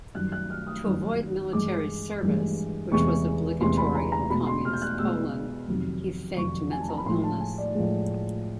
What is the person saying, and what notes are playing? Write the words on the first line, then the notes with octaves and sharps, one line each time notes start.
To avoid military service, which was obligatory in Communist Poland, he faked mental illness.
F#2 D#3 G3 F#6
F#6
F6
D#6
F#2 D#3 G3
G2 E3 G#3 D6
G2 E3 G#3
E2 C3 E3 G#3 C#6
E2 C3 E3 G#3 C6
B5
A#5
A#5
B2 G#3 B5
C6
F6
G6
F#6
B2 G#3 E6
F2 C3 D#3 F#3
F2 C3 D#3 F#3 C#6
G#5
A5
A#5
B5
A2 F3 G#3 C6
A5
G#5
D5
A2 F3 G#3